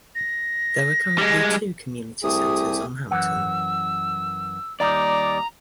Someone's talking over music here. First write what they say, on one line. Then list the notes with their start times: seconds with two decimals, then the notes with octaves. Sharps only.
There are currently two community centres on Hampton.
0.15 A#6
1.18 G3 G#3
2.23 C2 A3 G4 G#4 D#6
3.11 F#2 E3 F#5 E6
4.80 D#2 G3 D#4 D5 A#5